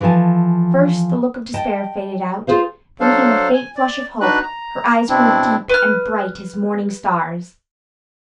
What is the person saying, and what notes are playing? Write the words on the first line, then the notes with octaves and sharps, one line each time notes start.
First the look of despair faded out; then came a faint flush of hope; her eyes grew deep and bright as morning stars.
E3 F3 A4 G#5 A5
D#5 G5 A5
F4 G#4 C5 F5
F#3 D4 A4 C5 F5
G#5
D5
D4 D#4 F#4 B4 F#6
A#5
B2 C4 D4 E4
B4 F6